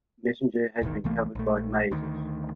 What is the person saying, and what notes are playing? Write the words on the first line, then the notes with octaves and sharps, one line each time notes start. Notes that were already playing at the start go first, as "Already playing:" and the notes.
"Messenger" has been covered by Mazes.
E1 A1 E2 D#3
C2 E3 A3 A#3
A#1 A3
D2 D#3